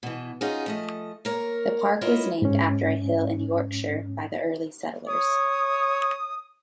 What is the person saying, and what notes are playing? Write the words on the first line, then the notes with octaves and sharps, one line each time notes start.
The park was named after a hill in Yorkshire by the early settlers.
B2 E3
C#4 D#4 F4 F#4 G#4
F3 A3 D#5
A#3 A#4 C#5
E4 F4 A#4 B4 C#5 D#5
G#2 C#4
C#5 D#6